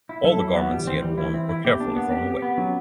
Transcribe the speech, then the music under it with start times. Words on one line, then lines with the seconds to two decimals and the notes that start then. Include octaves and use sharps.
All the garments he had worn were carefully thrown away.
0.09 E4
0.24 F#3 A4
0.40 E4
0.56 B3
0.71 F3 G3
0.79 E3
0.86 D#3 C4
0.93 E3
1.02 G3
1.18 E3 E4
1.34 C4
1.49 E4
1.65 A#3 G4
1.77 B3 D4
1.88 A#3
1.96 B3
2.11 C4 G4
2.27 G4
2.42 B3
2.58 F#3 C#4